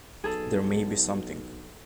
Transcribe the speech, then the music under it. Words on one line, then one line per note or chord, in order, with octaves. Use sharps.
There may be something.
B1 G#4 A4